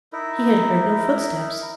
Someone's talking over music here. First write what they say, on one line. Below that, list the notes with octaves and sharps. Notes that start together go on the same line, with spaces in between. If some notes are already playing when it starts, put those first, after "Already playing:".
He had heard no footsteps.
D#4 E4 A#4